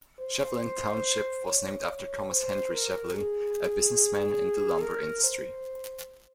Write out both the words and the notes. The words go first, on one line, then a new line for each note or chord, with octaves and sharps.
Shevlin Township was named after Thomas Henry Shevlin, a businessman in the lumber industry.
C5
C#5
C5
A#4
G#4
A#4
C5